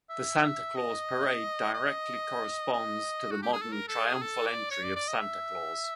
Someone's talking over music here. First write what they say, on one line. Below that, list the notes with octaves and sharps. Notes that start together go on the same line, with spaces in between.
The Santa Claus parade directly corresponds to the modern "triumphal entry" of Santa Claus.
E5
D#5
D#5
D#5
F#4
G4
G#4
A4
A#4
A4
G#4
A4
D5
C#5
D5
D5
D#5
E5